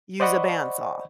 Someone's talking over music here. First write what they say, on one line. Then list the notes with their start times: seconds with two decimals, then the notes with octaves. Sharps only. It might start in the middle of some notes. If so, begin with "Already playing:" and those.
use a band saw
0.20 C5 D5 D#5 F#5 B5 C#6